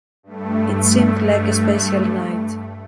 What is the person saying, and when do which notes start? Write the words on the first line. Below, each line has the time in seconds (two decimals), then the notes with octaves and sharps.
It seemed like a special night.
0.23 G2 A3